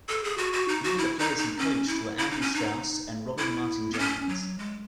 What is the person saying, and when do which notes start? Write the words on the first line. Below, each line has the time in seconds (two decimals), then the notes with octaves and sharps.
Among the players he coached were Andrew Strauss and Robin Martin-Jenkins.
0.09 A4
0.24 G#4
0.38 F#4
0.53 F#4
0.68 D#4
0.84 F#4
0.98 E4
1.19 D#4
1.38 D#4
1.59 C#4
1.88 E4
2.18 E4
2.30 D#4
2.41 C#4
2.54 D#4
3.38 E4
3.93 B3
3.99 C#4
4.29 F#3
4.58 G#3